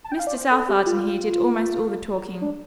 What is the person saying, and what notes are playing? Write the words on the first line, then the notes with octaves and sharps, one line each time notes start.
Mr. Southard and he did almost all the talking.
A5
G5
F5
D5
C5
A4
G4
F4
D4